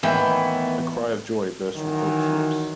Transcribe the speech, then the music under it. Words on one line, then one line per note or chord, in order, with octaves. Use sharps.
A cry of joy burst from Philip's lips.
D#2 A2 E3 B3 G5
D#3 E3 F#3